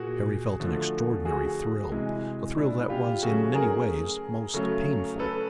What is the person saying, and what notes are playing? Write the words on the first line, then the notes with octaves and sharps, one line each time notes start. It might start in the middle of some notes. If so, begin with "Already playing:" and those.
Harry felt an extraordinary thrill, a thrill that was, in many ways, most painful.
Already playing: A#2 F#4 G#4
D3 F3 A3
F#4 G#4
C3 E3 G#3
D4 E4
F4 G4
C#3 F#3 A3 F#4 G#4
G#4 A#4
C#3 F#3 A3
A4 B4